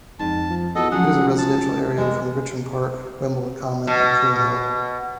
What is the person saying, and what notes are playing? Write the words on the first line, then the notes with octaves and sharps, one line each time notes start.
It is a residential area between Richmond Park, Wimbledon Common and Coombe Hill.
F2 G#2 A5
F3
E2 F#4 A4 D#5 F#5
C#2 A2 F3 F#3 G#4 F#5
A5
E3 G3 G#3 A#3
B2